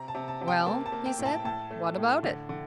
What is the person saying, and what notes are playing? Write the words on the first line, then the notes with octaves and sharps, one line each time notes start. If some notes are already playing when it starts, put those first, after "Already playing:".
"Well," he said, "what about it?"
Already playing: C3 A#5
A5
C3
A5
C3
G5
A#3 A5
A5
A#3
G5
A2
A5
A2 A5
A3
A2
D3
D3